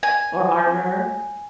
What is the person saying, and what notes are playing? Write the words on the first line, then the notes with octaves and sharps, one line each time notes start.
Or harder?
G#5